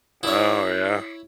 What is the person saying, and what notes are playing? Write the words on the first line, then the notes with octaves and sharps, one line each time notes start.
Oh, yeah.
E4 C#5